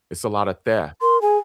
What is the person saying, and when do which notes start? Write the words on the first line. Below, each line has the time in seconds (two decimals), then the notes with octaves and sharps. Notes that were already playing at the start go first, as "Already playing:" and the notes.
It's a lot of theft.
1.02 A#4 C6
1.22 G#4 G#5